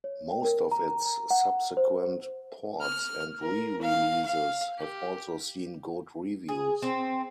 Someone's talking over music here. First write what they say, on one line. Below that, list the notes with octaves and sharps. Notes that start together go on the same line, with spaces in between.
Most of its subsequent ports and re-releases have also seen good reviews.
C#5
G5
A#4
A#5
A#5
F#5
C5
F6
A#4
F5
F5
G4
G#4
C4